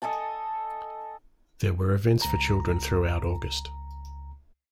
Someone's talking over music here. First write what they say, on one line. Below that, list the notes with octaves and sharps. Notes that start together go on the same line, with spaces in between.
There were events for children throughout August.
A4 D#5 G#5 A5
C#2 A#5